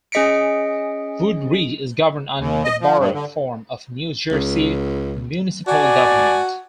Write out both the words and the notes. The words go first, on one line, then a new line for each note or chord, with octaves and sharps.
Wood-Ridge is governed under the Borough form of New Jersey municipal government.
C#4 G#4 D#5 B6 C#7 D7
D#2
D#5
F3
G2
D3
C#2
F#4 D5 G#5 A5